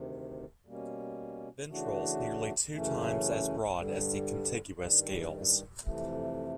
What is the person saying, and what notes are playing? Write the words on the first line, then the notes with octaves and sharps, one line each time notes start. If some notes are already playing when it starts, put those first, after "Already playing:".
Ventrals nearly two times as broad as the contiguous scales.
Already playing: D2 C3 D#3
B2 G3 A#3 C#4
C#3 E3 A3 D4 F#4
F#2 C#3 E3 A3 C#4
G2 D3 G3
G2 D#3 G3
F2 C3 E3 A3